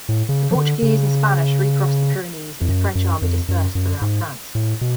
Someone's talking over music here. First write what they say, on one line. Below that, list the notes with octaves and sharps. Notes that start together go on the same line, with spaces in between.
The Portuguese and Spanish recrossed the Pyrenees and the French army dispersed throughout France.
A2
C#3
F3
D3
C#3
F2
F#2
F#2
F2
F#2
F#2
G#2
A2
B2